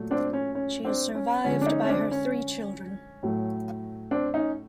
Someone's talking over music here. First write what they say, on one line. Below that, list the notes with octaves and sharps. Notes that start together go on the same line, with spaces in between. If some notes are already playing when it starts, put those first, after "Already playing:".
She is survived by her three children.
Already playing: A#2 F#3 A3
C4 D4
C#4
C#4
C4 D4
C#4
D3 F3 G#3 C#4
D4
C#4 D#4
C#4
C4 D4
C#4
A2 F#3 A3
C4 D4
C#4 D#4